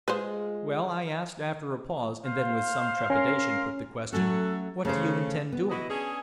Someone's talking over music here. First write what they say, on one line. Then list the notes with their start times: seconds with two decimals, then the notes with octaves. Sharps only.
"Well," I asked after a pause, and then with some trepidation put the question, "what do you intend doing?"
0.08 G#3 F4 G#4 B4 C5
2.24 C5 F5
3.10 C#4 A#4 F5 C6
4.13 F#3 A3 C#4 F#4 A4
4.85 C#3 A3 C5
5.52 B3
5.70 E4 F#4 D#5
5.89 C#4 D4 G#4